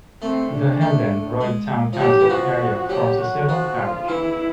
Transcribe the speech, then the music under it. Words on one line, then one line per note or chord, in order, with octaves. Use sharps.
The Hebden Royd Town Council area forms a civil parish.
A3 C4
D4
A3
G#3
F3
F#3 G4
E3
F3 F#4
F#3 G4
F#4
F3
F4
E3 E4